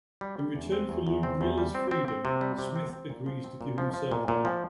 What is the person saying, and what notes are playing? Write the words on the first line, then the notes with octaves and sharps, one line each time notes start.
In return for Ludmilla's freedom, Smith agrees to give himself up.
G3
G3
E2
C4
E2
E2
C4
E2
G3
C4
C4
C4
C3
G3
C3
C4
C4
A#2
F3
C4
A#2
F3
F3
A#2
A#2
F3